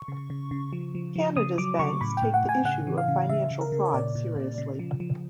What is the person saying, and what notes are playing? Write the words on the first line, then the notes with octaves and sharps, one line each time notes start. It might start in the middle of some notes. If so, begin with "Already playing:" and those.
Canada's banks take the issue of financial fraud seriously.
Already playing: C#6
C#3
C#3
C#3
F3
F3
F3
C#3 D#6
F#3 D6
C#3 C#6
A2 B5
G5
A2
F#5
A2 G#5
C#3 F#5
E3
F5
C#3
C#3 E5
C#3
A#4
C#3
C#5
A#2 D5
A#2
A#2
C#3
F3
F3